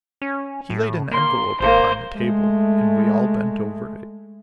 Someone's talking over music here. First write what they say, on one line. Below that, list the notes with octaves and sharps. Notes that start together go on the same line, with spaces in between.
He laid an envelope upon the table, and we all bent over it.
C#4
A2
A#3 C6
G#1 A#3 C5
G#3 A3